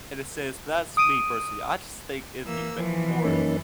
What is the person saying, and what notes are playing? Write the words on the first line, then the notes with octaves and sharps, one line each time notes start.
in a sense, but that's me personally. I just think it'd be bet more
D#6 D7 D#7
E3 A#3 E6
E3 F3
F#2 A#3 C#4 D#4 A4